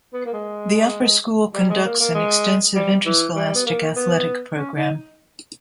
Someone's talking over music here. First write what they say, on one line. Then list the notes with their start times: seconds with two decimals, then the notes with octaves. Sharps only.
The Upper School conducts an extensive interscholastic athletic program.
0.13 B3
0.26 A#3
0.33 G#3
1.54 G3
1.70 G#3
1.85 A#3
2.00 A#3
2.14 G#3
2.75 G3
3.06 E3
3.35 G3
3.55 B3
3.66 A#3
3.97 B3
4.57 C#4
4.76 D#4